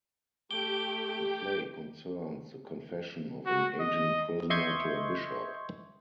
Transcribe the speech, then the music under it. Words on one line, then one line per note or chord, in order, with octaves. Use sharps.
The play concerns the confession of an aging prisoner to a bishop.
A3 G4 G5 D6 G6 G7
F#4
D#5
D#5 E5 C6 C#6 G6 G#6